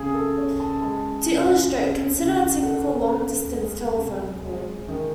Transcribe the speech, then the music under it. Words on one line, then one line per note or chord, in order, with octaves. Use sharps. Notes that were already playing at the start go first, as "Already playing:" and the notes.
To illustrate, consider a typical long-distance telephone call.
Already playing: C#3 C4 G#4
A4
C#3 C#5
A5
G#3 A5
C#3
C4
C#3
A3 F#5
A3
G#3
C3
G#3
D#3